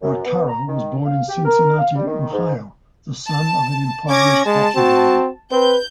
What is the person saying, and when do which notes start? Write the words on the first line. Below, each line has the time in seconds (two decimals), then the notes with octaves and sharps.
Arcaro was born in Cincinnati, Ohio, the son of an impoverished taxi driver.
0.02 F#2
0.25 B3
0.48 A#5
0.68 D#3
1.06 F5
1.29 G4
1.45 A#4
1.79 F5
1.95 G3
2.07 D#3
2.32 G#2
3.27 A5
4.09 C#4 D6 G#6 A#6
4.46 G#3 A5
4.76 C4 F#4
5.52 C4 B4 G6